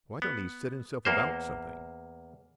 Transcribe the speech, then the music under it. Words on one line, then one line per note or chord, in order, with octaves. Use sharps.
Why don't he set himself about something?
B3
E2 A#3 C5